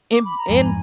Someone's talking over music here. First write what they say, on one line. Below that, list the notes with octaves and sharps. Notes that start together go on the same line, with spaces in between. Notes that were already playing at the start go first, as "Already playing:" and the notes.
In in
D6
B5
A#5
F2 G#2 G#5